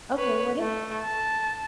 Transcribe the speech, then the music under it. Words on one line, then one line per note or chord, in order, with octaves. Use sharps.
Okay, what is it?
B4 C#5
A3
A5